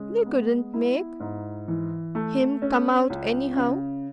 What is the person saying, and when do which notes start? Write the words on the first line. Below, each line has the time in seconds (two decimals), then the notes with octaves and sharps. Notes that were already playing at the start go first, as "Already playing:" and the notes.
They couldn't make, him come out--anyhow.
Already playing: C#3 G#3
0.26 B3
0.74 E4
1.20 G#2
1.68 E3
2.15 A3
2.62 C#4
3.10 C#2
3.56 C#3